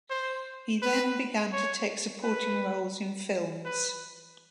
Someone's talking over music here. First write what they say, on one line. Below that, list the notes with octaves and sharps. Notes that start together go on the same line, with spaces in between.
He then began to take supporting roles in films.
C5
B4
C#5
B4
B4